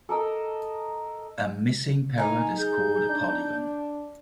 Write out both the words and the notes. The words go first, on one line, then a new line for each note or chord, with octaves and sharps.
A missing parrot is called a polygon.
A4 A#4 D#5 E6
D#4 A#4 G#5
G#4 G6
D4